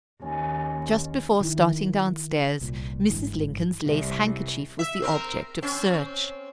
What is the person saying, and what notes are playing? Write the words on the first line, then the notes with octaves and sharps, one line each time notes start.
Just before starting downstairs, Mrs. Lincoln's lace handkerchief was the object of search.
D#2 C#4
D#3 E4
C2 A#2
G1 G#2 D3 E3
C2
E5
C4 A#4
C4 C#4